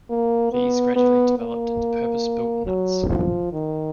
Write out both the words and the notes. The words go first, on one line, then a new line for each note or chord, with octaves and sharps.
These gradually developed into purpose built nuts.
A#3
B3
B3
A#3
F#3
F3
D#3